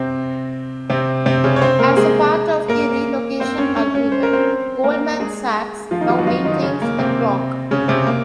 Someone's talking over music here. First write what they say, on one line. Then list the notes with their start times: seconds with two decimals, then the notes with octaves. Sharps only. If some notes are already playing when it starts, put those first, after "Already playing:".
As a part of the relocation agreement Goldman Sachs now maintains the clock.
Already playing: C3 C4
0.90 C3 C4
1.26 C3 C4
1.44 C#3 C#4
1.56 C#5
1.62 C4 C5
1.79 A#3 A#4
1.97 G#3 G#4
2.68 A#3 A#4
3.40 C4 C5
3.58 C#4 C#5
3.76 C#4 C#5
3.94 C#4 C#5
4.12 C5
4.23 A#4
4.33 C4 C5
4.84 A#3 A#4
5.20 G#3 G#4
5.91 F3 F4
6.01 D#3 D#4
6.09 F3 F4
6.18 F#3 F#4
6.27 F3 F4
6.45 D#3 D#4
6.63 C#3 C#4
6.82 A#3
6.98 C3 C4
7.71 C#3 C#4
7.88 C3 C4
8.07 A#3